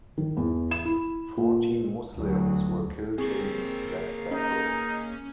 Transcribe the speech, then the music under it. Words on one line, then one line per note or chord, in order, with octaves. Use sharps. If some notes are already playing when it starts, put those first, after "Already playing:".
Fourteen Muslims were killed in that battle.
D#3
E2
E7
E4
A#2
D2 F#3
A#3 C4 G#4 C#5
C#4 D#4